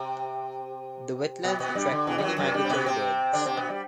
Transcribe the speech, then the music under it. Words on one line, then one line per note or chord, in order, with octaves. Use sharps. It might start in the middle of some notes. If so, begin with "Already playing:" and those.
The wetlands attract many migratory birds.
Already playing: C3 C4
B2 B3
B2 B3
G2 G3
D3
E2 E3
G3
F#2 F#3
F#2 F#3
G2 G3
C4
B2 B3
C3 C4
D3 D4
C3 C4
B2 B3
G3